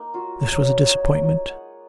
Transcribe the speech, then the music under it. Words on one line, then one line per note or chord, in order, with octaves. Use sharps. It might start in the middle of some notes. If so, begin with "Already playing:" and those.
This was a disappointment.
Already playing: A#3 D#4
F4 F#4
F#3
D#4 F#4
C#5
D#4
D#5
F4 F5
G#3 F#5